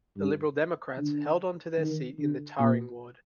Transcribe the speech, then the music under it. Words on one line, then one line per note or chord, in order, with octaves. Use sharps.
The Liberal Democrats held on to their seat in Tarring Ward.
G2
D3
D#3
D3
A#2